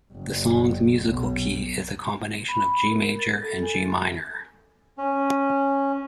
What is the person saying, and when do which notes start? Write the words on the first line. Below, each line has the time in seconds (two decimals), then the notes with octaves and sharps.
The song's musical key is a combination of G major and G minor.
0.12 F#1
1.02 B1
2.48 B5
2.91 A#4
3.19 A6
3.43 A4
3.63 G#5
4.98 C#4